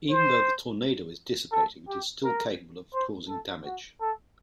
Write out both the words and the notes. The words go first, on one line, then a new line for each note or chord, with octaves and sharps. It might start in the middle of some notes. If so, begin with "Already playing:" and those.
Even though the tornado is dissipating, it is still capable of causing damage.
C5
A4
G4
A#4
C5
A4
F#4
A4